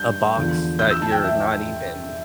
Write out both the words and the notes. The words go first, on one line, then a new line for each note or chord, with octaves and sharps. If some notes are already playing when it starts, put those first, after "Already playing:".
a box that you're not even,
Already playing: G2 G6
E2 D3 F3
G6
E6
A5
G5
E5